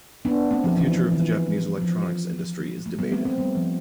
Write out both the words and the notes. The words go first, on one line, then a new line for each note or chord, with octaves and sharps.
The future of the Japanese electronics industry is debated.
B3 D4
A3 C4
F3
E3
F3
E3
F3
A3
G3 B3
A3 C4
A3 C4
G3 B3
F3